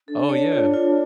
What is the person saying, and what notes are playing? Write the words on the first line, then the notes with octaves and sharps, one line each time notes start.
Oh, yeah.
D4 A4
C#5
F4
F4